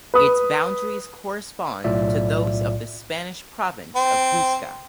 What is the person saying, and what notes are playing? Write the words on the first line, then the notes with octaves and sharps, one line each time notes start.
Its boundaries correspond to those of the Spanish province of Huesca.
B4 D#6
B1 A2 F4 D5 E5
C4